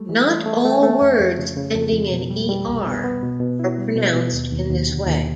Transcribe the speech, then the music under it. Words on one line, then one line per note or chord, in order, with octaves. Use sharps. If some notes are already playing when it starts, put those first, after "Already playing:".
Not all words ending in "er" are pronounced in this way.
Already playing: G3 A3
E3
A3
A3
A3
A3
F2
F2
C#3
C#3
F2
F2
B2
G3
G3
C2
B3
B3
B2
B2
E4
G3
B2
B2
D#2
D#2
D#2
D3
D#2